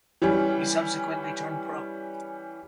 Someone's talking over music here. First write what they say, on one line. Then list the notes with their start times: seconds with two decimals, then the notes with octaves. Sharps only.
He subsequently turned pro.
0.22 E3 G3 C#4